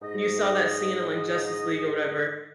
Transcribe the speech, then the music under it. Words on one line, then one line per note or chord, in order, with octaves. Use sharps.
you saw that scene in, like, Justice League or whatever,
G#2 D#5